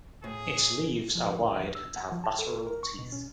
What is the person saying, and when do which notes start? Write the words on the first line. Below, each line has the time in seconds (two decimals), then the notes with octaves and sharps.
Its leaves are wide and have lateral teeth.
0.24 A2 G#4
1.15 F3
1.39 D2
1.60 F2
1.75 E6
1.96 F#5
2.12 F3
2.24 A5
2.39 A4
2.67 A#4
2.83 C#6
2.99 B2
3.12 C#4